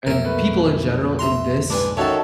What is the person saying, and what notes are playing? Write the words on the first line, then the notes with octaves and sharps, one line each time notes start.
and people in general in this
B1 F2 A#2 A#4 E5
A3 B3 B4
E5 A#5 C6
G#2 D4 B4 G#5
D#3 C#4 F#4 A4 C#5 E5 A5